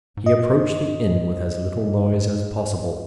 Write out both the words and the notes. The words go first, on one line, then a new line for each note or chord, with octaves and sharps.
He approached the inn with as little noise as possible.
G#2
G2 D#5
G2